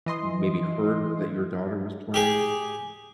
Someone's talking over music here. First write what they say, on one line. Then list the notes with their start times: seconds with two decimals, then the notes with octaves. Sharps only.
maybe heard that your daughter was playing.
0.06 E3 D#5 C6
2.14 G4 G#4